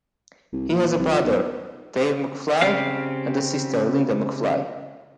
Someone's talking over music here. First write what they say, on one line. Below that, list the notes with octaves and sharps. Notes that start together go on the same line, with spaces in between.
He has a brother, Dave McFly, and a sister, Linda McFly.
C2
A#2
C2
F3
B1
C#3 C4 G4 F5